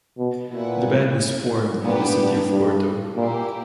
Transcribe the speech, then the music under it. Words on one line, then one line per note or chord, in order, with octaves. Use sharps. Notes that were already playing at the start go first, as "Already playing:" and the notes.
The band was formed in the city of Porto.
B2
A#2 E4 B4 F#5
A#2 B3 D4 G4 B4
G2
G2
A#2 A#3 E4 G4